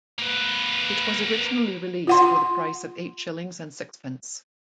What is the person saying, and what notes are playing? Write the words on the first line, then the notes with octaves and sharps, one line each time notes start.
It was originally released for the price of eight shillings and sixpence.
A#3 B4
F4 F#5 C6